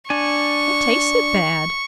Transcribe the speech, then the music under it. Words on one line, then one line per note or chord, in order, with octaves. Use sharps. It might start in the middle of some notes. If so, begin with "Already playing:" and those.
It tasted bad.
D4 G#5 C#6